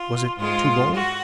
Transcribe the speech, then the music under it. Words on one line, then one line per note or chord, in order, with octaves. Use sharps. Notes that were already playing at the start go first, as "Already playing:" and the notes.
"Was it too bold?"
Already playing: F4
G#2 G#3 F4
F#4